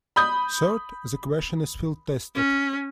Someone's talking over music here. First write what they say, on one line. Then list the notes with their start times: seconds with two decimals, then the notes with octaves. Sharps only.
Third, the question is field tested.
0.16 B5 D#6 G6
2.35 C#4